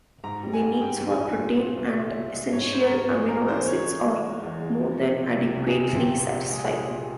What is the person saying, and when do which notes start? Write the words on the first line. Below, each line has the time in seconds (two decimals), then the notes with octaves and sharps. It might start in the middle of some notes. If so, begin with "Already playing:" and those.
The needs for protein and essential amino acids are more than adequately satisfied.
0.24 G#2 A#5
0.43 G3
0.53 G#5
0.62 G#2
0.81 G#2 G5
1.00 G#2
1.09 G#5
1.19 A#1
1.39 A#2
1.58 A#2
1.77 C2
1.95 A#2 E5
2.14 A#2
2.33 G#3
2.52 G#2 C#5
2.62 C#5
2.72 G#3 C5
2.81 A#4
2.90 G#2
3.09 A#1 G#4
3.28 G#3 A#4
3.47 E3 C5
3.66 G#3 C#5
3.85 G#3
4.05 G#3
4.24 G#3
4.43 E2
4.62 G#3
4.80 F3
4.99 C3
5.19 C3
5.38 C3
5.57 C2
5.67 G#4
5.76 C3
5.95 A#2 G4
6.14 A#2
6.33 A#1
6.51 G#3 G#4
6.71 G#3
6.89 A#2